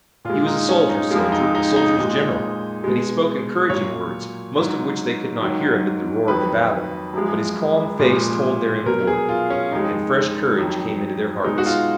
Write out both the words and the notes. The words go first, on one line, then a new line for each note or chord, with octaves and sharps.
He was a soldier's soldier, a soldier's general, and he spoke encouraging words, most of which they could not hear amid the roar of the battle, but his calm face told their import, and fresh courage came into their hearts.
A#2 G#3 F4
D#4
C#4
D#4
F2 F3 G#3 F4
D#4
D#4
D#4
A#2 G#3 D#4
B2 G#3
A#2 F#3 C#5
G#2 F#3
G#2 D#3 F#3
F2 D#3 F#3 B4
F#2 F3 G#3
A#2 F3 G#3
B2 F#3 A#4
G#4
F4
C#4
F2 D#3 G#3 D#4
F2 D#3 F#3
B2 G#3 D#4
F#4
F4